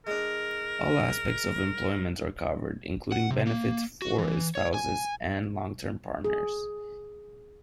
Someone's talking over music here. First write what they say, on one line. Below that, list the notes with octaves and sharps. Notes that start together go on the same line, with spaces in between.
All aspects of employment are covered, including benefits for spouses and long-term partners.
G#3 D4 A#4
F#5
C3
A#3
F#4
E3
C#5
G#5
G#4